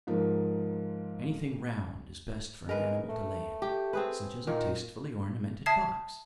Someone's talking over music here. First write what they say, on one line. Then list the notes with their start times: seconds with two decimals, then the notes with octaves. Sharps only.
Anything round is best for an animal to lay in; such as a tastefully ornamented box.
0.07 G#2 F3 A#3
2.69 G#3 A#4 B4
3.09 A3
3.62 G4
3.93 C4 G#4 B4
4.47 A#2 D#3
5.66 E5 A5 D#6 G#6 C7